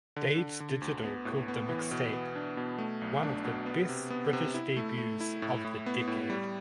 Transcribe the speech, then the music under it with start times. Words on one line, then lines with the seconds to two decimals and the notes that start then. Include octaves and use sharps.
Dazed Digital called the mixtape "one of the best British debuts of the decade".
0.16 D3
0.38 D3
0.60 D3
0.82 D2
1.04 B3
1.25 A2
1.48 B3
1.69 E3
1.91 B2
2.13 B3
2.36 D4
2.57 B2
2.78 A3
3.01 B1
3.23 D4
3.45 B2
3.66 B3
3.89 C3
4.10 B3
4.33 C3
4.54 E4
4.77 A3
4.98 A3
5.21 E4
5.42 A2
5.64 A2
5.86 B3
6.07 A2
6.30 G3